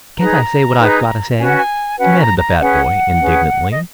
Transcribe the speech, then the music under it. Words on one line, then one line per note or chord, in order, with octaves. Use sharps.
"Can't I say what I've got to say?" demanded the fat boy indignantly.
D#4 G#4 B4 A#5
D#4 G#4 B4
C#4 F#4 B4 G#5
F#5
G#5
C#4 F#4 B4 F#5
A#5
A#5
C#4 G#4 B4 F#5
C#4 G#4 B4
D#5